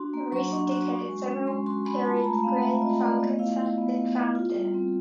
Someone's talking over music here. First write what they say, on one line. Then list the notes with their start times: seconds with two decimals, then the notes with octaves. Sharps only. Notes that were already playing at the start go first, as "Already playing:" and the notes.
In recent decades, several peregrine falcons have been found there.
Already playing: D4 F#4 C6
0.14 A#3
0.32 F#3 C#6
0.52 D4 C#6
0.71 F#4
0.90 F#4
1.09 G#3
1.28 C#4
1.47 G#3 C6
1.66 F#4 C6
1.85 G#3 B5
2.05 F4 A5
2.17 B5
2.24 A3 A#5
2.43 C4 F5
2.62 A3 E5
2.82 F4 D#5
3.01 A3 D5
3.20 B3 D#5
3.39 E4 F5
3.58 E4
3.78 B3
3.97 B3
4.16 E4
4.35 F4
4.54 G3
4.74 C4